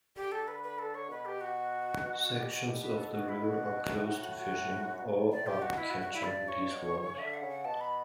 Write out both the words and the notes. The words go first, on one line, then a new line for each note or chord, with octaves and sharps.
Sections of the river are closed to fishing, or are "catch-and-release" waters.
D3 G4
A4
B4
B4
A4
C#5
B2 B4
G4
F#4
B2
G4
F#4
G4
B4
A4
F#4
E4
F#4
A2
F#4
F#2
G2
A2
A2 D5
C#3 G4
B2
F#4
B2 E4
F#4
A2
F#4
G2 E4
D5
C#5
B2
C#3
D3 E5
F#5
C#3
F#5
B2 A5
B5